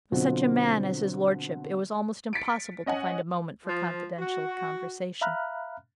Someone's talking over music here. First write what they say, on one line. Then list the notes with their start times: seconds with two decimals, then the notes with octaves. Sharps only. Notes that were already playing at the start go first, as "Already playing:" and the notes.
With such a man as his lordship it was almost impossible to find a moment for confidential conversation.
0.12 B2 D3 F#3 C4 F4 F#4
2.33 A6 B6 C#7 D7
2.86 C#4 D#5 F#5 G#5
3.65 F3
4.18 F#4
5.21 E5 F5 A#5 B5 F6 F#6